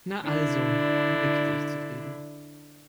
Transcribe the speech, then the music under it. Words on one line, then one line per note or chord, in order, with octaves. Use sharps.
"Na also", nickte ich zufrieden.
D3 D4 E4